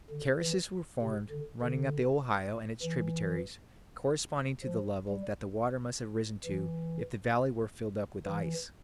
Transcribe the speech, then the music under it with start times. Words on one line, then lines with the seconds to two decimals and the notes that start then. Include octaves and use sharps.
Terraces were formed running up the Ohio and its tributaries corresponding to the level that the water must have risen to if the valley were filled up with ice.
0.11 D3
0.42 E3
1.02 C3
1.31 D3
1.62 D3
2.83 E3
4.64 F3
5.09 G3
6.46 E3
8.26 E3